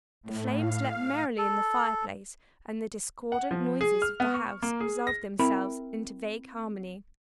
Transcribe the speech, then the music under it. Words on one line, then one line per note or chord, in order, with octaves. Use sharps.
The flames leaped merrily in the fireplace and the discordant noises of the house resolved themselves into vague harmony.
A2
F5
A4
F#5
F3
G#4
F6
B3
C#6
A#3
G#4
A#6
C4 E4 A#4 B5